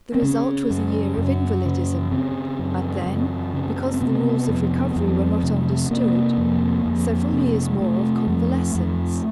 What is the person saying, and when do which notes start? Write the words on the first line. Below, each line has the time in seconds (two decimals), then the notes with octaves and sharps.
The result was a year of invalidism, and then, because the rules of recovery were not understood, several years more of convalescence.
0.15 C4
0.22 C#3 C#4
0.70 F#2
1.18 F#2
1.65 C#3
2.12 C#3 C4
2.59 F#2
3.06 F#2
3.54 C#3
3.94 C4
4.01 C3 B3
4.48 F2
4.96 F2
5.43 C3
5.90 C3 A#3
6.38 F2
6.86 F2
7.33 C3
7.80 C3 A3
8.27 F2
8.75 F2